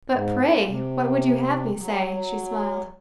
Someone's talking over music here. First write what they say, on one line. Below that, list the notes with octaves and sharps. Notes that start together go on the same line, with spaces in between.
"But, pray, what would you have me say?" she smiled.
G#2
A#2
C3
F#3